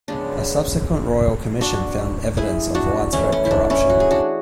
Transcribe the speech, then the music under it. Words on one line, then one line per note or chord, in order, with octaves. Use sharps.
A subsequent royal commission found evidence of widespread corruption.
C#3 G#3 B3 D4
D4 F#4
E4 G#4
D4 F#4
E3 A3 C#4 E4
C#4
E4
D4
C#4 E4
F#4
G#4
D4 F#4